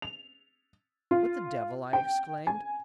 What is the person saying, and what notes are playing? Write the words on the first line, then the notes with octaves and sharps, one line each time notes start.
"What the devil!" I exclaimed.
F7
F4
G5
G#5